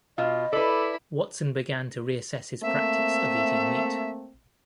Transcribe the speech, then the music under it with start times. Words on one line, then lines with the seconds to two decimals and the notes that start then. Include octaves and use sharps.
Watson began to reassess his practice of eating meat.
0.18 B2 F4 D#5
0.53 E4 A4 B4 D5 B5
2.62 A3 A#3 C4 E5